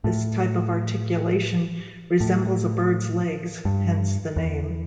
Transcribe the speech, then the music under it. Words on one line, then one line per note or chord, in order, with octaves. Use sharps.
This type of articulation resembles a bird's legs, hence the name.
A2
A2
G2
E2